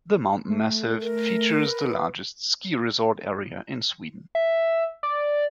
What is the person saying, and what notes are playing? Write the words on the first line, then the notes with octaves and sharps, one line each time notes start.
The mountain massif features the largest ski resort area in Sweden.
A3
A#4
B4
E5
D5